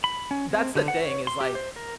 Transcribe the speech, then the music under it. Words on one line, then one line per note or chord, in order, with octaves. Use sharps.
That's the thing is, like,
B5
C#4
C4
D3
F#5
C#5
C6
G4
C5
A#4